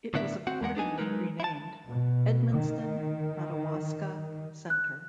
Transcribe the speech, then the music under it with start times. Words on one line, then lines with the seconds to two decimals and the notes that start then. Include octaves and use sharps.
It was accordingly renamed Edmundston-Madawaska Centre.
0.14 A2 D3 B3 D4 A#4 E5
0.47 C4 F#4 F#5
0.62 E2 G#3 A#4 F#5
0.75 B3 D4 D#4 G#5
0.98 F#3 G#3 C4 D#4 A#4 B4
1.40 E4 A5
1.86 B2
2.52 D#3
4.70 F#6